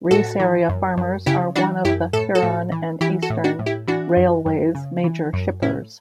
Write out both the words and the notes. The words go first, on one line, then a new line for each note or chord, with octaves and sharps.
Reese area farmers are one of the Huron and Eastern Railway's major shippers.
A2 F#4 A4
E3
F#2
F#2
C#3 E4 G4
E3 D4 F#4
F#2 E4 G4
A2 A4
F#4 A4
A2
E3
E3 E4 G4
F#4 A4
A2
D4 F#4
A2
E4 G4
E3 D4 F#4
F#2
F#2
C#3
E3
F#2
A2 C#4 E4